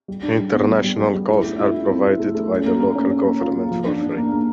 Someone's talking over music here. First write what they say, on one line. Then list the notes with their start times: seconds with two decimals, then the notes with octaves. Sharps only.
International Calls are provided by the Local Government for free.
0.08 G3
0.23 D4
0.38 G3
0.54 B3
0.69 G3
0.84 G3
0.99 G3
1.14 G3
1.29 E4
1.44 A3
1.59 E4
1.74 E4
1.90 C4
2.05 E4
2.20 A3
2.35 A3
2.50 C#4
2.66 A#3
2.80 A#3
2.95 C#4
3.11 C#4
3.26 A#3
3.41 F4
3.55 A#3
3.71 F3
3.86 D4
4.02 D4
4.17 A#3
4.32 A#3